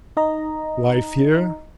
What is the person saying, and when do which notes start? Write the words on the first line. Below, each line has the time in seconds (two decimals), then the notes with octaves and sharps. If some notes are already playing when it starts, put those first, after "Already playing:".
"Wife here?"
0.17 D#4 D#5 A#5